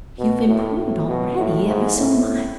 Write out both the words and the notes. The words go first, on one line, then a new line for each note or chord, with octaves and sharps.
You've improved already, ever so much.
B2
A2
A2
B2
A2
G#2
A2